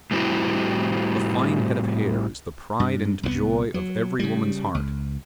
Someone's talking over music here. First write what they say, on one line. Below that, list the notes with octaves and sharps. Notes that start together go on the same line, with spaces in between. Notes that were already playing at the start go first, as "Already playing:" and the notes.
A fine head of hair is the pride and joy of every woman's heart.
A2 G3 C4 E4 F#4 G4
G2
C2 E3 B3
F#3
C#3 G3
C#2